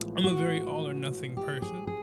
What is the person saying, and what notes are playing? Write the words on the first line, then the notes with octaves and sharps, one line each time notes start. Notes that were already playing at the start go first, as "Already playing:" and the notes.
I'm a very all or nothing person
Already playing: A1 A2 F3 G#3 B3
F#4
G4
G#4
G#4